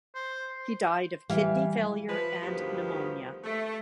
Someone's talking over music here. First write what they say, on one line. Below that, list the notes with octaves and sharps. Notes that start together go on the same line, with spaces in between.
He died of kidney failure and pneumonia.
C5
E3 G3 E5 F5
F3 B4
D2 G2 D#3 F3 B3 G4
A3